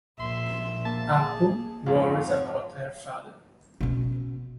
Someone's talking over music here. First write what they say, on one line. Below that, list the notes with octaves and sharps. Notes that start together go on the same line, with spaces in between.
Appu worries about her father.
A#1 E5 C6
A#3 A5
G#4
F2 G#2 F4
F3 C#5 F#5
B2 C#4